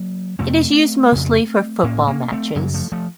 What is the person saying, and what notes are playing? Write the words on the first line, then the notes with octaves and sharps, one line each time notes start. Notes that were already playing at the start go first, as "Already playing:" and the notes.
It is used mostly for football matches.
Already playing: F#3 A#3
F2 C3 A3 C4
F2 C#3
A2 A#3 C#4
A#3 C#4
A3 C4
F#2 C#3 F#3 A#3
F3 A3
F3 A3